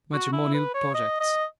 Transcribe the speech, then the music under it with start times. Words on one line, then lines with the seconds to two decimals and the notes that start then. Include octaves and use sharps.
Matrimonial Projects.
0.13 F#4
0.33 E4
0.54 B4
0.74 C#5
0.94 D#5
1.20 D#5